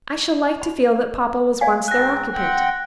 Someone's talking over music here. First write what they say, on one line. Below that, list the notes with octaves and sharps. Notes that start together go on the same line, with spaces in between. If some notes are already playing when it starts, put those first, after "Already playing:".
I shall like to feel that papa was once their occupant.
B5
D5 F5 G#5
G#2 C4 F#6 A#6
C4 F#5 G5